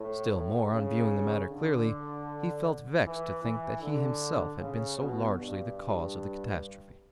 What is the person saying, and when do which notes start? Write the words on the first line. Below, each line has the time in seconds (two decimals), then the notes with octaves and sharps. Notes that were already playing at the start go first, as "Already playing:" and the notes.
Still more, on viewing the matter clearly, he felt vexed to think that he himself had been so largely the cause of the catastrophe.
Already playing: A2
0.31 A2
0.71 C#3
1.48 D3
3.04 E3
3.43 E3
3.82 D3
4.59 C#3
4.98 B2
5.37 G2